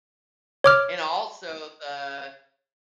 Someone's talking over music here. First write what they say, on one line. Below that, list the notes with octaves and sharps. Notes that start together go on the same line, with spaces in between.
and also the
C#5 D6 F6